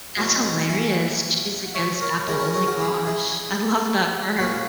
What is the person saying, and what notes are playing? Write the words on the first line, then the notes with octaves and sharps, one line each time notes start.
That's hilarious, she's against Apple, oh my gosh, I love that for
B2 F#3 A#3 C#4 E4
F#5 A#5
E5 G#5
F#5
C#5 E5
A#4 C#5
C#3 G#3 C#4 E4 A#4 C#5
A#4 C#5
A#4 C#5
F#4 A#4
E4 G#4
E4 G#4
A#2 A#3 C#4 E4 F#4